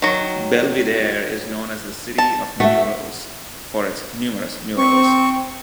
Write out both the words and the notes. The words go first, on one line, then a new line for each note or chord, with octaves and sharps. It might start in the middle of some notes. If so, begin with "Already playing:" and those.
Belvidere is known as the "City of Murals", for its numerous murals.
D#3 F#3
A5
A3 F#4 E5
C4 C#6